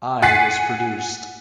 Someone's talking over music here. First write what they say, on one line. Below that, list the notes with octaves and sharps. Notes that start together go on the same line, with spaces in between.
Eye was produced.
F#5 G#5 A6 B6 C7